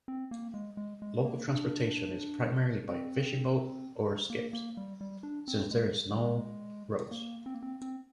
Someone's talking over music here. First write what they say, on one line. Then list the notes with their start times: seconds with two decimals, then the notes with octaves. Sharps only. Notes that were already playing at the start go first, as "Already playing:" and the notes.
Local transportation is primarily by fishing boats or skiffs, since there are no roads.
0.08 C4
0.31 A#3
0.54 G#3
0.77 G#3
1.02 G#3
1.25 A#3
1.48 D4
2.88 C4
4.30 A#3
4.53 A#3
4.77 G3
5.01 G3
5.23 D4
5.48 C4
5.71 G#3
6.12 G3
6.18 G#3
7.11 A#3
7.46 C4
7.55 A#3
7.62 C4
7.82 C4